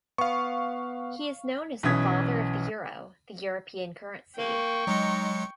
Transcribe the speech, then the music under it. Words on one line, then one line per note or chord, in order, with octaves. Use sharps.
He is known as the father of the Euro, the European currency.
B3 F5 C#6
B1 E3 C#4 D#6 G#6 B6
A#3 G5 C#6
F#3 G#3 D#4 C#7